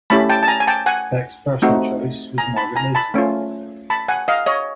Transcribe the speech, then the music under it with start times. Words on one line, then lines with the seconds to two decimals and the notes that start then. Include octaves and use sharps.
Peck's personal choice was Margaret Leighton.
0.10 A3 C#4 E4 G4 A5 B5
0.29 G5 A5
0.43 A5
0.48 G#5 A#5
0.60 G#5
0.67 G5 A5
0.86 F#5 G#5
1.62 A3 C4 D#4 F#4
2.38 G#5 A#5
2.57 A5 B5
2.76 G#5 A#5
2.95 A5 B5
3.14 A3 C#4 F4
3.90 A5 B5
4.08 F#5 G#5
4.28 D#5 F5
4.46 C#5 D#5